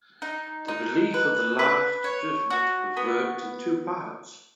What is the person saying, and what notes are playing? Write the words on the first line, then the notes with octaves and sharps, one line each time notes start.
The relief of the Last Judgment was worked in two parts.
D#4
D#4
B4
B4
C#5
F#4
B3